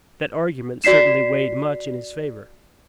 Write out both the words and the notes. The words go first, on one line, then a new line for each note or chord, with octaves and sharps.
That argument certainly weighed much in his favor.
F#4 D5 B6 C7 E7